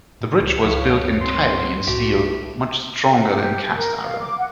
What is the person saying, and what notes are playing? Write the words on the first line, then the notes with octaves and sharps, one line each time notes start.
The bridge was built entirely in steel, much stronger than cast iron.
A2 D#4
C#2 B4
C#2 F3 C#5 F5
F#2
C4 C6
C2 A2 A3 F#4 G4
G4
A#4
F5
D6
F#5